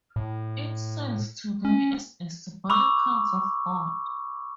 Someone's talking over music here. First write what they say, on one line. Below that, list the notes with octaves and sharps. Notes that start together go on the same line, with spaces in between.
It serves today as a "Symbolic House of God".
A2
C#4
B5 C#6 D6 E6